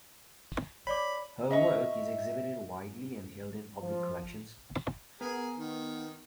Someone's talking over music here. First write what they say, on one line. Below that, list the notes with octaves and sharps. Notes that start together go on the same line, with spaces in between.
Her work is exhibited widely and held in public collections.
C#5 D5 B5 D6
D#5 E5 A#5 C#6
F3
B3 G#4 A#4
D#3